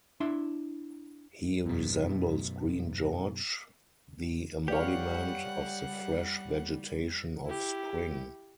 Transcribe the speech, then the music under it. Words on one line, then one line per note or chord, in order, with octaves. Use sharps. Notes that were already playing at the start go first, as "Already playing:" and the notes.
He resembles Green George, the embodiment of the fresh vegetation of spring.
D4 E4 E5 C6
F#2 B2
G3 G4 B4 C#5 D5 F5 F#5
E4 G4